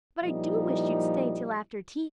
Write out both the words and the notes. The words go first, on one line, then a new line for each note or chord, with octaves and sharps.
But I do wish you'd stay till after tea.
A#2 F3 G3 D#4 E4 D#5